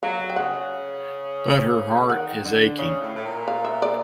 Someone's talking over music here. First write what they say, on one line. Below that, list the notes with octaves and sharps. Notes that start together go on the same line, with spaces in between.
But her heart is aching.
F#3 F5
G5
C#3 F#5
C#3
D3
D#3 F#5
D3
C#3
A2
A2
A#2
F5
E5
D5